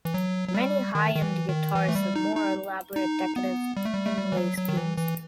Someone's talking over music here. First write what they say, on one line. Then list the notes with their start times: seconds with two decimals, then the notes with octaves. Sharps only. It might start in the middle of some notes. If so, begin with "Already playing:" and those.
Many high-end guitars have more elaborate decorative inlay schemes.
0.05 E3
0.14 F#3
0.48 F#3
0.54 G3
0.95 D#3
1.15 D#3
1.22 E3
1.49 D#3
1.75 E3
1.89 A3
1.95 G3
2.16 D#4
2.36 D#4
2.96 D#4
3.36 B3
3.77 G3
3.85 A3
3.94 G3
4.06 A3
4.17 G3
4.32 E3
4.37 F#3
4.58 F#3
4.69 D#3
4.77 E3
4.98 E3